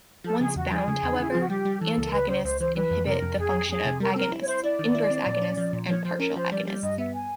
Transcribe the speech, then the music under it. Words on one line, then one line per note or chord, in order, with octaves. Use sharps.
Once bound, however, antagonists inhibit the function of agonists, inverse agonists, and partial agonists.
F3 A4
C#3 G#4
E2 F#4
F3 G#4
C#3
E2
D#4
C#3 E4
F3 F4
F#4
G3 G4
G3
E3 A4
C#2
A#4
C#2 B4
C#3 C5
C#2 C5
E3 C5
E3 B4
F2
C3 A#4
F2
F2 G#4
F2
F2 G#4
C3
G3 A#4
A4
C4 A#4
E4
C#5
E4 C5
E4 D5
D#3
E4
C4
A#2
C#4
F3
A#2
F3 C#5
F3 C5
C#4 A#4
F3 C5
G3 D5
G3 D5
G2 D#5
B3 E5
G#5